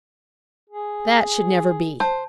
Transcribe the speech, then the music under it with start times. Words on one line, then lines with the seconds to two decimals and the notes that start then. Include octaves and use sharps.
That should never be.
0.70 G#4
2.00 C5 A5